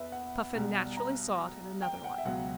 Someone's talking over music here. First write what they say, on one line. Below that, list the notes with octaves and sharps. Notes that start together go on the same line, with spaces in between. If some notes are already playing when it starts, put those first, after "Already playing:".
Puffin naturally saw it in another light.
Already playing: E2 B4 E5
F#5
B1 B2 G3
A#5
G5
F#5
E5
C#2 B2 F#3 F#5